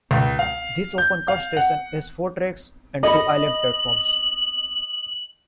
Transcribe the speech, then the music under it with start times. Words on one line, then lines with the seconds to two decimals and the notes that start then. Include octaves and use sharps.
This open cut station has four tracks and two island platforms.
0.11 C#2
0.39 F5
0.98 G6
1.28 F5
1.57 F#5
3.03 A4 D#5 B5 F#7